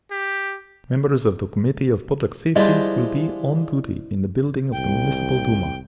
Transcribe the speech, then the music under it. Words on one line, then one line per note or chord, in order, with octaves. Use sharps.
Members of the Committee of Public Safety will be on duty in the building of the Municipal Duma.
G4
F3 G3 G#3 D4 E4 C5 D5 D#5
C2 G5